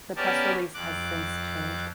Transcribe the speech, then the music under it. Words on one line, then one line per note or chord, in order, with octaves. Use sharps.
The press release has since changed.
B3 C#4 G4 A#4 D5 A5
F2 D6 F#6